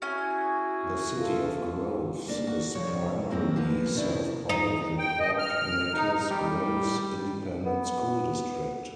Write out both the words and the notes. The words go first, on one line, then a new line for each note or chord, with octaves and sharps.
The City of Groves is primarily served by the Port Neches-Groves Independent School District.
C#4 E4 F#4 G#4 G#5
F4 A4
A#3 D4
F#4
F2 C3 F3 C#5
F#2 A#3 C4
F3 A#3 B3
C3 D#3 C#4 D4 E4
D#4
G5
D#5
F6
D#4
G3
B3